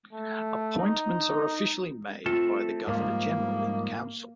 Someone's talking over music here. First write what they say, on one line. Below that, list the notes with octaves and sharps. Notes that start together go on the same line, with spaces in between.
Appointments are officially made by the Governor-General in Council.
A3
D#4
A3 C4 F4 A4
G#2 F3 G3 A#3